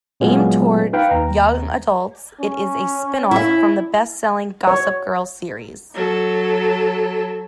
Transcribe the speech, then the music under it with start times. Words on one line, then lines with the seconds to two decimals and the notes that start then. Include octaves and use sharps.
Aimed toward young adults, it is a spin-off from the bestselling "Gossip Girl" series.
0.20 A#2 F#3 G#3 B3 C#4 F4
0.93 D#4 B4 F5 G5 B5
1.11 D#2 A#5
2.40 C#4
3.31 E4 E5
4.67 C#5
5.95 F#3 A4